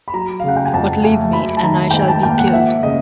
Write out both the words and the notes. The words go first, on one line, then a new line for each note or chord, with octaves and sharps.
But leave me, and I shall be killed!
B5
F#3 A#5
F5
C#3 F#5
G5
G#5
F2 A5
A3 G#5
F#3 B5
A5
D#3 A#5
G#2 G5
G#5
A5
A#3 G5
F#5
F3 E5
C#3 D#5